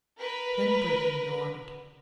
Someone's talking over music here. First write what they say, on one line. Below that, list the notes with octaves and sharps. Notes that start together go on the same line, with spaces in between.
Then Breton nodded.
A#4 B4